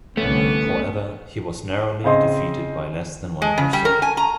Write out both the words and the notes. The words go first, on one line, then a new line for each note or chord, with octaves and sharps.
However, he was narrowly defeated by less than one percent.
C2 D3 A3 B3 C#4
C#3 C4 D#5 C6
G#3
C#3
G3
A#4
G#5
A#5